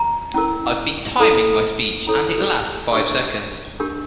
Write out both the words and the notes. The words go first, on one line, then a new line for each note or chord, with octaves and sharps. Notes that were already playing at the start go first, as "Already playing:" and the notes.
I've been timing my speech, and it lasts five seconds.
Already playing: A#5
C#4 E4 A#4
C#4 E4 A4 C#5 A5
C#4 E4 A4 C#5
D4 G4 A#4 C#6
D4 G4 A#4